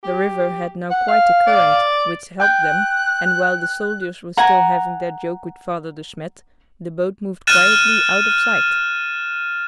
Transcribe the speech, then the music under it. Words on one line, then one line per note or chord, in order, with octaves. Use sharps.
The river had now quite a current, which helped them, and while the soldiers were still having their joke with Father De Smet the boat moved quietly out of sight.
G4
F#5
F5
D5
G5 F#6 G6
F#5 G#5 A#5
F6 F#6 A6 D#7 E7